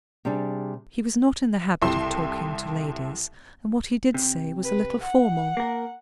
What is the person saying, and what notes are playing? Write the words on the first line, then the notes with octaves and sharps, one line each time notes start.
He was not in the habit of talking to ladies; and what he did say was a little formal.
C3 G3 D4 G#4
C2 E4 G4 A4 C6 E7
C3
B4
F#5
A#3 A#4